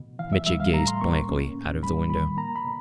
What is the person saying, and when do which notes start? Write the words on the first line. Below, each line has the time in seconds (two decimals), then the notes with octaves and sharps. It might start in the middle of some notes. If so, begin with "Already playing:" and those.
Mitya gazed blankly out of the window.
Already playing: B2
0.19 E3 F5
0.33 E5
0.46 G3 E5
0.60 F5
0.74 A2 A#5
0.88 C6
1.01 A#3 C#6
1.28 C#4
1.55 A2
1.83 G3 B5
2.10 D#3 B5
2.37 A#3 A#5
2.56 B5
2.64 B2